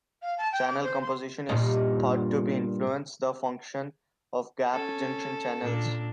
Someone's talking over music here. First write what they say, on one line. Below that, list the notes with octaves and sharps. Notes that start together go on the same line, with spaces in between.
Channel composition is thought to influence the function of gap junction channels.
F5
A5
G5
D6
C5
C6
G2 A#2 D#4
C#4 A4
A#2 D4